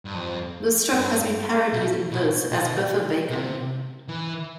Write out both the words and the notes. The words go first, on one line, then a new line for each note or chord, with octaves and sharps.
The strip has been parodied in "Viz" as Biffa Bacon.
G2
F2
G2
B2
B2
B2
C3
E3